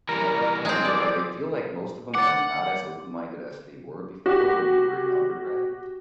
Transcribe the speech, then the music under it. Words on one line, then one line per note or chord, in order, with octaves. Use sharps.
and at that point, they I I feel like most of them are not as open-minded as they were before when they were in undergrad.
E3 G3 A#4
G#3 C4
D5
F#5 D6 A6
F#4 G4